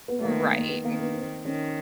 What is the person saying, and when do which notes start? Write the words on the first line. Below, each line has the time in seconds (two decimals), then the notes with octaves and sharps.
Right. Mhm.
0.08 B3
0.19 A3
0.23 D#3 A#3
0.39 B3
0.53 A#3
0.68 B3
0.84 D#3 A#3
1.00 B3
1.14 C4
1.44 D#3 C#4